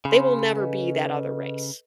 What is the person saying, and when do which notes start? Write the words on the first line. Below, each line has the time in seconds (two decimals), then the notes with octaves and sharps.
they will never be that other race.
0.05 C#3 B5 C6
0.55 A4 B4 D#5